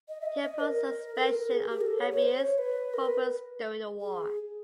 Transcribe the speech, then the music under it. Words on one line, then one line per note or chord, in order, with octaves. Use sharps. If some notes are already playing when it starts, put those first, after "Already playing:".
He opposed the suspension of habeas corpus during the war.
D#5
E5
D#5
D#5
A#4
A4
B4
A#4
A#4
G#4
G4
A#4
A4
C#5
C#5
C5
C#5
B4
A#4
B4
G#4